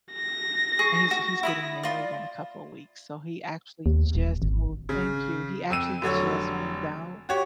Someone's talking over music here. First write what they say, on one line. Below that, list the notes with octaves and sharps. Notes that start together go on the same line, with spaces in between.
and he's he's getting married in a couple of weeks so he actually just moved Thank you. He actually just moved out
A#6
G#4 C#6
F#4
E4 B5 D#6
F4 D5
D#2
D#1
G#1
C#3
F2 E6 D#7
F1 D3 F#3 C#5
F#4 G4 C#5